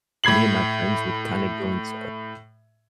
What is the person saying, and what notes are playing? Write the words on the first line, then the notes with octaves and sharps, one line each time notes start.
me and my friends would kind of go into
A2 B5 G#6 C7 F#7